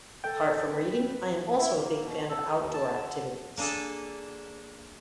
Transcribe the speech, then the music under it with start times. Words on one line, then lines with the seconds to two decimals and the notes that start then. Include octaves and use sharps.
Apart from reading, I am also a big fan of outdoor activities.
0.24 A4 G5
0.70 B4
1.58 E4
1.77 A#3
2.03 B2
2.29 A4
2.58 D#2
2.74 A5
3.00 D3
3.57 A#3 D4 G#4 A4